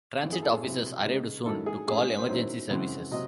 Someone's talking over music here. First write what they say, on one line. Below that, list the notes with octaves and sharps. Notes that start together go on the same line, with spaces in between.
Transit officers arrived soon to call emergency services.
F#2 E3 C4
G#4
A4
G#4
C3 F#3 C4 E4
C#3 G#3 D#4
G#2 D#3 F#3 C#4 E4 A4
G#4
A2 G#3 C#4 E4 G#4
G#4
C5
D#3 F#3 C#4 E4 C5
F#2 C#3 E3 G#3 C4
C3 F#3 C4 D#5